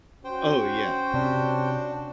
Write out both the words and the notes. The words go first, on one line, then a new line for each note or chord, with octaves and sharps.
Oh, yeah.
C#4 F#4 C5 G5
C3 D4